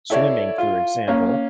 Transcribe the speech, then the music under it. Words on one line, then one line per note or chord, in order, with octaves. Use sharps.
swimming, for example.
E4 A4 C#5 D5 E5
F4
A#3 C#4